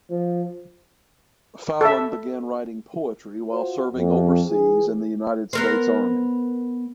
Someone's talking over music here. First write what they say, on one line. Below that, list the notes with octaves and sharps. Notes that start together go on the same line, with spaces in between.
Fallon began writing poetry while serving overseas in the United States Army.
F3
A4 E5
F4 F#4 C5
F2
E3 G#4
B3 A#4 C5